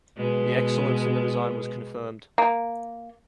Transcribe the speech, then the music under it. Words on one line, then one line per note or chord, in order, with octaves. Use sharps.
The excellence in the design was confirmed.
B2 G#3 B3
A#3